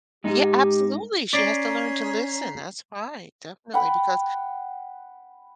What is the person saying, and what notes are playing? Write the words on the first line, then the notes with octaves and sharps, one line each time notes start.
Yeah, absolutely, she has to learn to listen, that's right, definitely. Because
G#2 D#4 G4
C#4 D5 A#5 B6 C7
F#5 G5 B5